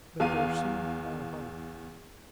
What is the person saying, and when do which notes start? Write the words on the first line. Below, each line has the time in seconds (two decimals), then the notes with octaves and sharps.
But there seemed no hope.
0.20 E2 F5 D#7